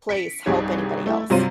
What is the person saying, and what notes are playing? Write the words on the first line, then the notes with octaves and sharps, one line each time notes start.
place, help anybody else.
B6 C#7 D7
C2 G2 D#4 G4 G#4 C#5
A3 E4
G2 C3 F#3 F4 C5 D#7